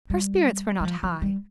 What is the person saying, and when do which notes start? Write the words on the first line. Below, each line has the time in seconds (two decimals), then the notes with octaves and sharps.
Her spirits were not high.
0.10 G3
0.80 G3
0.84 F3
1.03 F3
1.22 G3